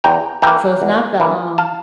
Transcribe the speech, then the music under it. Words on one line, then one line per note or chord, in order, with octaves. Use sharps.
so it's not the, um,
E2 G5 A#5
E3 A#3 G5 A#5
E2
E3 A#3
F5 A5